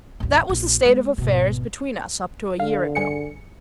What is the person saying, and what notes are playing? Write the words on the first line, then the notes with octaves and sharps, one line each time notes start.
That was the state of affairs between us up to a year ago.
A1 D#2
A#1
G#3
G#1 B2
D3 F5
G2 G#4 C#7